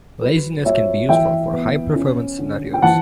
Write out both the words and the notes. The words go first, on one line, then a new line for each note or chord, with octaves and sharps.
Laziness can be useful for high performance scenarios.
F#3 B4
F#3 C#5 E5
E3 E5 G5
B3
C#4
D3
G5
E3 F#5 A5